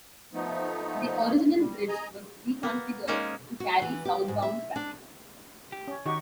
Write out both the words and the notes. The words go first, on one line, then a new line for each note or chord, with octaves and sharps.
The original bridge was reconfigured to carry southbound traffic...
F3 A3 B3 D#4
G3
D#5 G#5 A#5
A#3 B3
G#3 A#3 C#4 D#4 C5
F#4
E3
G4
G#2
E5
D4
G4
C#4
D#3 D#4 F#4 G4 C#6